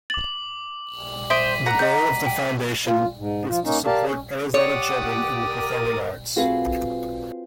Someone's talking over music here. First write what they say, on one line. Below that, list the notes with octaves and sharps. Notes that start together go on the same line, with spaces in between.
The goal of the foundation is to support Arizona children in the performing arts.
D6 A6 F#7
C5 E5 D#6 B6 D7 D#7
F#5 A#5
D#5 G6
G5
F4
G#2
F3 F4
A#3 C#4 D#4
G4 A#4 D5 F5 A5
C#4
G4 C#5 D5 F#5 D#6
A#4
C4 F4 F#4 G#4 A4 B4